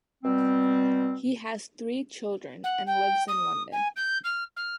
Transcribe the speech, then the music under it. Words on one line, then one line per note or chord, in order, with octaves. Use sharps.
He has three children and lives in London.
B2 G3 C4
F#5
G5
D#6
G#5
G6
F6
F6